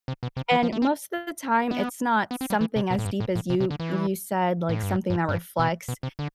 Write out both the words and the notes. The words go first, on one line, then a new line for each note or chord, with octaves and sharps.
and most of the time it's not something as deep as you you said, like, something that reflects.
C3
B2
C3
E3
F3
A3
C4
B3
B3
C4
G3
E3
C3
B2
A2
G2
A2
A2
C3
C3
D3
E3
A2
G2
G2
G2
B2
B2
C3
D3